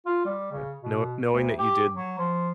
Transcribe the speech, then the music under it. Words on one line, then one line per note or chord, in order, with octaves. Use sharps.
Yeah. Know knowing that you did,
F4
G3
C#3
B2
D2
G4
F#3
F3